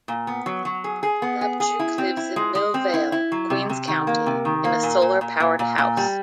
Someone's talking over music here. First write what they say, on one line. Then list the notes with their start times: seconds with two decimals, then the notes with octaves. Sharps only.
Labchuk lives in Millvale, Queens County, in a solar-powered house.
0.08 A#2
0.27 B3
0.46 F#3
0.65 F#3
0.84 G#4
1.03 G#4
1.22 B3
1.41 G#4
1.60 G#4
1.79 E4
1.98 C4
2.17 E4
2.36 G#3
2.55 G#3
2.74 C4
2.94 E4
3.12 E4
3.32 F#3
3.50 C3
3.69 C3
3.87 D#3
4.07 A#3
4.26 C3
4.45 D#3
4.65 A#3
4.83 A#2
5.02 A#2
5.21 A#2
5.40 A#2
5.59 A#2
5.78 A#2
5.97 G3